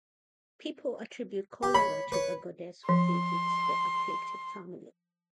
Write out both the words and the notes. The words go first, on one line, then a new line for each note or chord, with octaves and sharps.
People attribute cholera to a goddess who visits the afflicted family.
G4
C#5 B5
B4 C#5
F3 C6